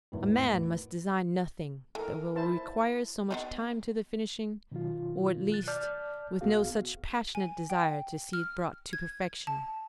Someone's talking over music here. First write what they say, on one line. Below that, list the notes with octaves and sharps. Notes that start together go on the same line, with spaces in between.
A man must design nothing that will require so much time to the finishing, or, at least, with no such passionate desire to see it brought to perfection.
G#1 E2 A2
E3 A4 A#4
E4 C5 A5
B3 D4 D#4
B2 D#3 F#3 F4
F#6 A6
D5 A5 F6 G6
C2 B3 F#4 G#4 F5
G#5
G5
F6
G#6
A5